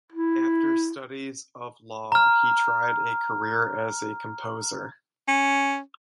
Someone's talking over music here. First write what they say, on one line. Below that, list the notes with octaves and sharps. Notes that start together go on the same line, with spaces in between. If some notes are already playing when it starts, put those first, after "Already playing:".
After studies of law he tried a career as a composer.
E4
A#5 F6
C#4